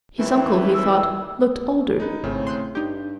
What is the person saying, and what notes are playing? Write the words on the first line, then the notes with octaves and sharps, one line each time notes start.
His uncle, he thought, looked older.
D#2 E3
E6
D#4 B4
G#1 A2 C#3 C4
C6 F#6 G6
G2 D#4 G4 G6